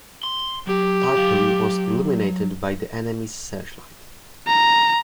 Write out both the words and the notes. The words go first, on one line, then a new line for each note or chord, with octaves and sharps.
"Tarpon" was illuminated by the enemy's searchlight.
C6
F#3 G4
F#3 F5
A#5